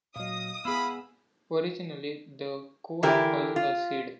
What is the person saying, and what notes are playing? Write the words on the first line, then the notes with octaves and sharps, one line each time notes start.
Originally the core was a seed.
A#2 F#3 D#5 F5 D#6
B3 E4 G#4 F5 B5 E6
D3 E3 E4 G4 A#4
F4